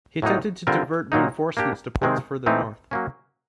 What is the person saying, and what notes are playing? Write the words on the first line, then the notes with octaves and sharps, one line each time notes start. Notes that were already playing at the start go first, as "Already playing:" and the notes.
He attempted to divert reinforcements to ports further north.
A2 F#3 A#3 D#4
D3 G3 C4 F4 A#4
A#2 F#3 A#3 D#4
A#3 D4 G4
C3 D#3 G#3 C4
E3 A3 C4 D#4
F#3 A#3 C#4